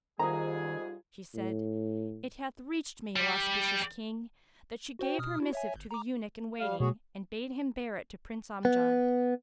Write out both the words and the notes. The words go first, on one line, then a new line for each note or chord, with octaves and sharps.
She said, It hath reached me, O auspicious King, that she gave her missive to the eunuch in waiting and bade him bear it to Prince Amjad.
F2 G#2 D#3 G3 D#4 F4 G#4 A#5
A2
G3
F#4 C5 G5
B2 D#6 F6
E4 F#4
C#5 E5 G#5
G1
A#5 D6
G3 F5
B2 A3 F#4 G#4 C#5
B3